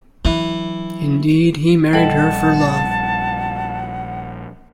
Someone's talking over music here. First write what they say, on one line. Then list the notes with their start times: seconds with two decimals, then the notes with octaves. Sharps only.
Indeed, he married her for love.
0.25 E3 F#3 D4
1.93 A#1 G3 A4 D#5 F#5 G5 A5